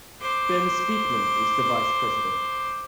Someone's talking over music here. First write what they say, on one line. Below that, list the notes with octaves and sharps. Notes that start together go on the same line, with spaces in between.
Ben Speakmon is the vice-president.
C5 D6